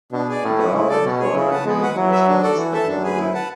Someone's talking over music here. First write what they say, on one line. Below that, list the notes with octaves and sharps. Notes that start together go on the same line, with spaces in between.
Brown and four other gang members were arrested for the murder.
B2 D4
G#4 D5
A2 C#4
F#4 B4
C#3 E4
A4 D5
B2 C#4
G#4 C#5
C#3 E4
B4 F#5 A5
G#3 B3
F#4 B4 F#5
F#3 E4
B4 E5
D4
F#4 A4 D5
E3 F#4
A4 E5 A5
F#2 D4
G#4 B4
E4
B4 F#5 A5